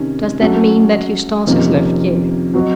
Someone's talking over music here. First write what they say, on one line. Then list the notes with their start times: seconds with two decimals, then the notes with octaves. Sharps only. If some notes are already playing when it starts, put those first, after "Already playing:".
"Does that mean that Eustace has left you?"
Already playing: C3 D#3 C#4
0.40 F#3 A3 C#4 F#4 A4
1.47 F2 C3 D#3 A#3 C#4
2.54 F#3 C4 F#4 C5 D#5